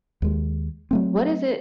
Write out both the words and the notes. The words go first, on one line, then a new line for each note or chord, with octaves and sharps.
What is it
D#2 G#3
F#3 A3 C4